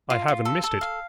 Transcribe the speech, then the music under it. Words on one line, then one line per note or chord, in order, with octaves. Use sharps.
'I haven't missed it.
F4
F4
A4
A4
F5